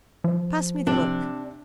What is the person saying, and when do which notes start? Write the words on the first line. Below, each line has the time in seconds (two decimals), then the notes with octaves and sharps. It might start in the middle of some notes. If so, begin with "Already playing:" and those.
Pass me the book.
0.24 F3
0.87 C3 D4